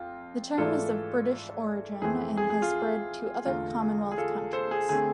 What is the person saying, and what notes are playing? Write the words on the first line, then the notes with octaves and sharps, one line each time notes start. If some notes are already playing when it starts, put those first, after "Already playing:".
The term is of British origin and has spread to other Commonwealth countries.
Already playing: F2 F4
G#2 E3 A3 D4 F4 A4
F2 E3 A3 C4 G#4
G#4
G#4
F4
E2 D3 A3 F4
G#4
G#4
F4 A4
A4 C5
G#4
D3 A3 C4 G#4